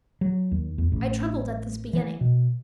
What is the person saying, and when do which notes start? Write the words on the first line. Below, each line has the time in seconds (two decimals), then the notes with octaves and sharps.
I trembled at this beginning.
0.21 F#3
0.51 D#2
0.78 E2
0.92 A1
1.93 E3
2.21 B2